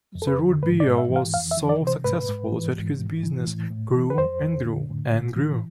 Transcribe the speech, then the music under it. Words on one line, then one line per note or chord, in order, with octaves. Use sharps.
The root beer was so successful, that his business grew, and grew, and grew!
F2
A4
B4
D3
G#2 B4
D5
G#2
E5
E3
F5
F2 F5
E5
E3
D5
C3
C5
G#2 B4
G#2
E3
G#2
G#2
E3
A2
A2
E3
B4
F2 C5
F2
D3
A2
A2
E3